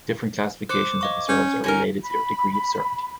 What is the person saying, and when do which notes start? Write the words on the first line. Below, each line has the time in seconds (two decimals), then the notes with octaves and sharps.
Different classifications of reserves are related to their degree of certainty.
0.69 C5 D6 F#6 C#7
1.01 D#5 F5 C#6
1.29 C#4 G6
1.64 C#4 D#4 A#4 G#5
2.02 B5